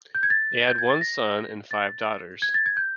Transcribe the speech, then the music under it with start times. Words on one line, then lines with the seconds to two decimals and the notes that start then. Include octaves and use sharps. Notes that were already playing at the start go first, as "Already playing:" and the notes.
They had one son and five daughters.
0.15 G6
0.23 G#6
0.30 A6
0.68 G6
0.78 G#6
0.90 A6
1.01 A#6
1.71 A6
2.42 G#6
2.54 A6
2.66 G#6
2.77 G6